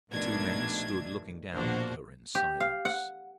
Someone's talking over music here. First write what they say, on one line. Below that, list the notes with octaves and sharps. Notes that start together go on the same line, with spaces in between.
The two men stood looking down at her in silence.
A#1 B2 D#3 A3 D4 G#6
A#1 B2 A#3 D4 F#4 C5
G4
F5
F#5